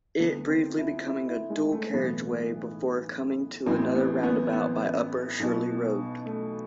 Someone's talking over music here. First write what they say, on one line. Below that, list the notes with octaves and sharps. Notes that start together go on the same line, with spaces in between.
It briefly becoming a dual-carriageway before coming to another roundabout by Upper Shirley Road.
D2 D3 B3
C4
F4
E4
E4
E4
G#3
A3
B1 A2 E3 B3
A1 A2 E3 C4
B3
B3
B3
B1 B2
A3